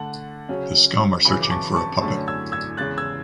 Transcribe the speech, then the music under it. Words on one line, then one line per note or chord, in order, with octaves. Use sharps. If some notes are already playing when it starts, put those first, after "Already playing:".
The scum are searching for a puppet.
Already playing: D3 A3 D4 F#5 A5
C#3 F#3 C#4
F#2 C#3 E3 G#5 B5
D6
A5 C#6
A5 C#6
F#2 D3 A3 C#4 A5 C#6
E6 G#6
E6 G#6
E2 C#3 G#3 F#6 A6
E6 G#6